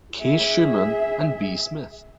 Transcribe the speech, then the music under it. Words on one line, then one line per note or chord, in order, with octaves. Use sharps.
K. Schuhmann and B. Smith.
G#4 E5